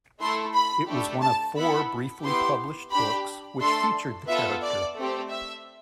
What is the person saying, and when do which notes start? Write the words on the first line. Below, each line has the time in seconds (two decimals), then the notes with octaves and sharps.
It was one of four briefly published books which featured the character.
0.20 A3 E4 A4 C6
0.54 B5
0.88 A3 D4 G4
1.22 A5
1.56 B3 E4 A4 B5
2.24 B3 E4 G4 C6
2.92 D4 G4 B5
3.60 A3 D4 A4 C6
4.28 B3 F4 A4 E5
4.62 D5
4.96 A3 C4 G4
5.30 E5